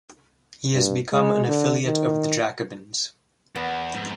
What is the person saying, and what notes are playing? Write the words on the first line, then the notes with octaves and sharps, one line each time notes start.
He is become an affiliate of the Jacobins.
G2
G#3
D3
D#3
E2 B3
F2 G#2